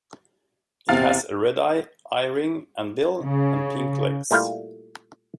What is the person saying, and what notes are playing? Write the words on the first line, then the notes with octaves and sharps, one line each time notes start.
It has a red eye, eye ring and bill, and pink legs.
E2 C3 F5 A6
C#3
A#2 G3 A3 E4 F5